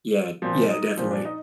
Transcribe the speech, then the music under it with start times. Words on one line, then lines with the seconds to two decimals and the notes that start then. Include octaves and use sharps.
Yeah, yeah, definitely.
0.42 A#2 F3 C4 C5
0.70 D#4 D#5
0.97 A#2 F3 C4 C5
1.11 D4 D5
1.25 D#4 D#5